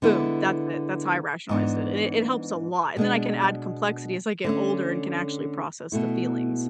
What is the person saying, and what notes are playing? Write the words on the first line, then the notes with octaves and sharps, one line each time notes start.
Boom! That's it. That's how I rationalized it, and it and it helps a lot, and then I can add complexity as I get older and can actually process the feelings.
D3 G#3 B3 E4
G#2 E3 B3 D4
B2 G#3 D4
D3 A3 C#4
B2 A3 E4